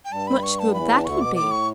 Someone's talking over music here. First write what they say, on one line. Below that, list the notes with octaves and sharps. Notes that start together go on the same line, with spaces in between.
"Much good that would be!"
G5
G2 G3 A5
B5
C#6
A5
E2 E3 B5
A5
D2 D3 C#6
B2 D6
A2 D6
C#6